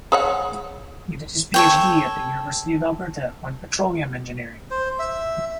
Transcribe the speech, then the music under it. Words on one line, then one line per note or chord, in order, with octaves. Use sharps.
He did his PhD at the University of Alberta on Petroleum Engineering.
G#4 C#5 F#5
A4 C#5 G5
C5
E5